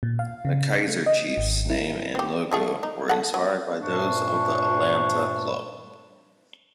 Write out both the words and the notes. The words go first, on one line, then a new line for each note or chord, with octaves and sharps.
The Kaizer Chiefs name and logo were inspired by those of the Atlanta club.
A#2
F5
C#3
A3
D#5
G#1
E4
C4 G4
D3 A3 G#4
D#4
A4 F#5
F#3
G2 A#2 A3 D4 C5 C#6